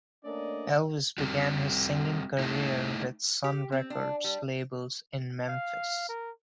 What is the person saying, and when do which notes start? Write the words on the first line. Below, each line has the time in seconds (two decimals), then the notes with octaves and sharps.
Elvis began his singing career with Sun Records label in Memphis.
0.24 A3 A#3 C#4 D4 D5 D#5
1.18 G3 C4 F#4
2.39 A3 D#4 E4
3.44 G4
3.72 C4
3.90 D4
4.24 G3
5.48 F5
6.09 A#4